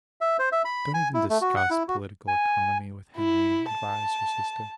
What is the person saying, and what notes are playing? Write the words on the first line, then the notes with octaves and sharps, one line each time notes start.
"Don't even discuss political economy with Henry," advised her sister.
E5
C5
E5
B5
G#5
E4
A3
F#4
F#5
E4
F#4
G#5
E4
A5